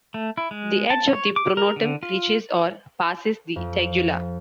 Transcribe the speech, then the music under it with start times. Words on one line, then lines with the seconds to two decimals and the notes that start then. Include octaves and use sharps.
The edge of the pronotum reaches or passes the tegula.
0.14 A3
0.38 E4
0.51 G#3
0.90 A5
1.10 C#5
1.36 D6
1.57 A#4
1.76 D3
2.03 F4
3.56 F2